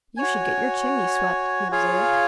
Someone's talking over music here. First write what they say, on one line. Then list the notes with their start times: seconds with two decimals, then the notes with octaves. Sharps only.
"You should get your chimney swept," he observed.
0.17 F#4 C#5 G#5
1.71 F4 G#4 C#5 F5 G#5